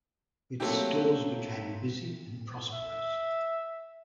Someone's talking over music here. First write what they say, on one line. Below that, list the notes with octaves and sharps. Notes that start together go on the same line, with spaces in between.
Its stores became busy and prosperous.
F#3 A3 A#3 C4 E4 G4
E5